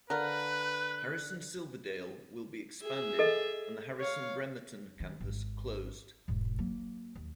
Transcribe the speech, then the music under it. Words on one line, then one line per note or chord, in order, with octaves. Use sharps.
Harrison Silverdale will be expanded and the Harrison Bremerton campus closed.
D3 F4 A#4 B4 F#6
G#4 E5
A4 D#5
C#5 F5
D#3
G#1
E1 G#2
F#3 A#3
D#2